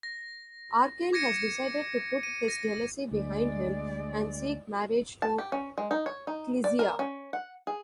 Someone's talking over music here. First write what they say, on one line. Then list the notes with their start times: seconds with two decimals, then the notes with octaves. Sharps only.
Arcane has decided to put his jealousy behind him and seek marriage to Clizia.
0.03 A#6
1.13 D6 G#6 A#6 C#7 D#7
2.23 D#7
2.48 A#6
3.11 D2 G#3 D5
5.22 A5
5.38 G4
5.52 C#4
5.78 G#3
5.91 D#4
6.06 C#5
6.27 D#4
6.64 D5
6.79 A#4
6.99 C#4
7.33 F#5
7.67 G#4